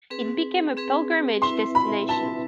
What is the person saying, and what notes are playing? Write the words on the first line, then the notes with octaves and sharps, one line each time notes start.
It became a pilgrimage destination.
C4 G#4 B4
C4 G#4 B4
C4 E4 B4 E5 C6
B5
C4 E4 B4 E5 A5